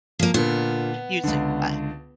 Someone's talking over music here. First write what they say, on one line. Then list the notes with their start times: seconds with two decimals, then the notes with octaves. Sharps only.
You too. Bye.
0.19 F3 A#3
0.34 A#2 D3 A#3 B3
1.24 C#2 D3